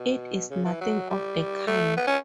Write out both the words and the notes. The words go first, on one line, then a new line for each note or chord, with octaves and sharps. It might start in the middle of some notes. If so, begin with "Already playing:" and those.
It is nothing of the kind.
Already playing: B2
C#3
E3
F#3
G3
A3
B3
C#4